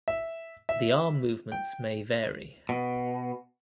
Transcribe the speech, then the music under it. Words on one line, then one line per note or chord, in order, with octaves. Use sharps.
The arm movements may vary.
E5
E5
G5
B2